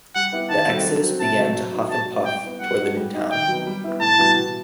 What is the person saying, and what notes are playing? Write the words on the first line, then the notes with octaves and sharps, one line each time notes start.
The exodus began to huff and puff toward the new town.
G3 F#5
B3 E4 G4
D#3 A5
G3 C4 F#4 A4
F#3
C4 F#4
C3 A5
F#3 A3
F#3
B3 D#4
F#3 A5
A3 C4
G3 G5
B3 E4
G3 F#5
D#4 F#4 A4
G3
D#4 G4
D#3 G5
F#3 B3
G3
B3 E4
A2 A5
E3 G3 B3 F#4
B2